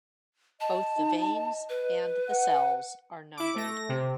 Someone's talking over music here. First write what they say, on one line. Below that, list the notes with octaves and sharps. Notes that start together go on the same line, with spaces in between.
Both the veins and the cells are numbered.
D#5 A5
D#4
D#5
B4
F#5
E4 D6
A3 A#6
C3